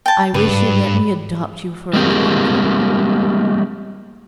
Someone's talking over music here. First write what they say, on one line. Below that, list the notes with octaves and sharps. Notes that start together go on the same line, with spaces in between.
I wish you'd let me adopt you for an uncle.
G5 A5
G2 C#3 G3 B4
G#2
G3 G#3 A#3 C4 G4